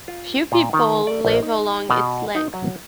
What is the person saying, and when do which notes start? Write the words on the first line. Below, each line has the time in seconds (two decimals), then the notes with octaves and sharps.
Few people live along its length.
0.08 F4
0.52 A#2
0.73 D#3
1.07 D5
1.25 A#1
1.43 D#4
1.90 B2
2.35 D#4
2.54 F#3